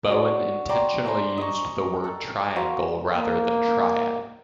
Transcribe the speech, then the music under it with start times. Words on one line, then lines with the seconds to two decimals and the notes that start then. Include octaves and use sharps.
Bowen intentionally used the word "triangle" rather than "triad".
0.08 D4 F#4 C#5
0.69 D5 G5 A#5 C6
1.05 C5 G5 G#5 A#5
1.38 D#5 C#6
2.04 A4
2.56 F#4 A#4 C5 F5
3.15 A#3